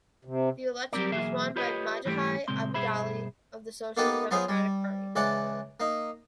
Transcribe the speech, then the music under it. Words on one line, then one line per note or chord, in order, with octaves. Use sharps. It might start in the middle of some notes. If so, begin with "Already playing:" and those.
The election was won by Magaji Abdullahi of the Social Democratic Party.
C3
F#3 G3 C4 A#4 D5
B1 E2 F#3 A#3 G#4 E5
F4 G4 B4 C#5 D#5
G#2 E3 G3 A3 B3 G4
A#2 C#3 G#3 C4 C6
G2 B2 G#4 C5 E5 B5
A#3 B3 D#4 G4 A4 B4
F#3 B3 F4 G#4 C5
G3
C#2 E3 D5 F#5 A5
A#3 D#4